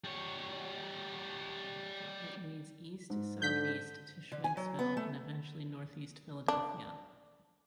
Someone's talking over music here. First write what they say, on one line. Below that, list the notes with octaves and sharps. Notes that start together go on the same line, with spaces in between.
It leads east-southeast to Schwenksville and eventually Northeast Philadelphia.
G3 C#5
G#2
D3 G6 B6
D3
G#5
F#3
B3
A3
D4